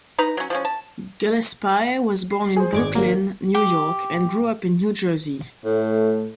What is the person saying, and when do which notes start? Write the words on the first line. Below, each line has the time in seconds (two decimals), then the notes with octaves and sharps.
Gillespie was born in Brooklyn, New York, and grew up in New Jersey.
0.18 D#4 B4 A#5
0.37 F#3 C#4
0.50 F3 G#3 C#4
0.65 A5
2.31 C7
2.56 G#4 C5
2.73 G#1 G#3 D6 G#6
2.95 F#3 A#3
3.54 G4
5.65 A2 A3